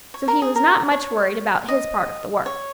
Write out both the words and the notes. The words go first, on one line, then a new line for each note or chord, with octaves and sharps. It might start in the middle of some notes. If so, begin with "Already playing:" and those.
So he was not much worried about his part of the work.
C#5
A#4
G#4
A#4
C#5
D#5
C#5